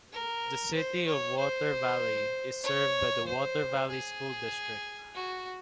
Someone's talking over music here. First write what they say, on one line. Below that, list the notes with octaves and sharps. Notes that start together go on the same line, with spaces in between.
The City of Water Valley is served by the Water Valley School District.
A#4
C5
C#5
C5
C#5
C5
G#4
F#4